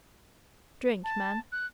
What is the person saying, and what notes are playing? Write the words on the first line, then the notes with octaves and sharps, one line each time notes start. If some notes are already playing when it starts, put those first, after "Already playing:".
Drink, man!
A5
F#6